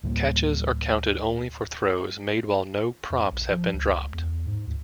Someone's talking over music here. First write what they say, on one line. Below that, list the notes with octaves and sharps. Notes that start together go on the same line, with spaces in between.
Catches are counted only for throws made while no props have been dropped.
D2 A2 G3 A#3
F2
B1
F3
C#2
E2
G#2
D2